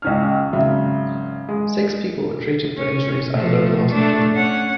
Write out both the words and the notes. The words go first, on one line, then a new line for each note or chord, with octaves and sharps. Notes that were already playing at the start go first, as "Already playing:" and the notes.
Six people were treated for injuries at a local hospital.
C#2 C#4 F6
G#1 C#3 F#3 E5
G#3 G#4
C#4
F3 A3
A3 D4
C#4 F#5